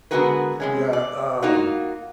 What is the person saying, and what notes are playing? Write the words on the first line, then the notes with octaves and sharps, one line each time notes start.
yeah, um
D3 G#3 B3 F#4 A#4 B4
C3 G#3 C#4
D5
A#3 D#4 F4 F#4